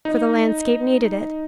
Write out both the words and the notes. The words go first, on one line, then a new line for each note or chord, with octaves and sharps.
For the landscape needed it.
D#4